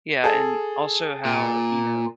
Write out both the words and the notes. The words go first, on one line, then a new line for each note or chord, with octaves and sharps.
Yeah, and also how, you know,
G#4 A4
A#2